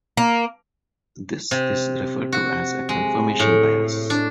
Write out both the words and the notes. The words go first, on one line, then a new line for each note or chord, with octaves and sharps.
This is referred to as a confirmation bias.
A#3
C3
F#4
G#3
A2
D4